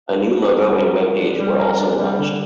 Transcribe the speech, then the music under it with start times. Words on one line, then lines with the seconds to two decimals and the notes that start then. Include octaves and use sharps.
A new logo and webpage were also launched.
0.20 F4
0.40 D4
0.60 G3
0.80 A#4
1.01 F4
1.20 D4
1.40 G3
1.59 A#4
1.80 D4
1.99 G3
2.19 D3